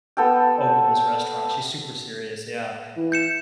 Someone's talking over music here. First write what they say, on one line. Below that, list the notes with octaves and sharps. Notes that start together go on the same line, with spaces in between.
open this restaurant, she's super serious, yeah,
B3 A4 G5
E3
G6 C#7 E7